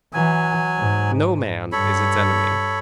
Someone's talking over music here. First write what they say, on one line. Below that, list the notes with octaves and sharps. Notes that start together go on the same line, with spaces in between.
No man is its enemy.
E3 F#3 G#5
G#2
G2 A4 C#5 B5